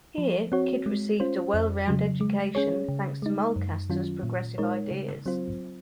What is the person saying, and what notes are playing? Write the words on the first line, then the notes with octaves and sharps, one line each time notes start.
Here, Kyd received a well-rounded education, thanks to Mulcaster's progressive ideas.
F3
C4 F#4 C#5
G#3
C#4 F4 C5
F2
C#3 F#3
G#3
C#4 G#4 C#5
C#3
G#3 D#4
F#2
D#3 F#3 C#4 F4
A#2
G#3 D#4 A#4 C#5
C#3
F#3 C4 F4 C5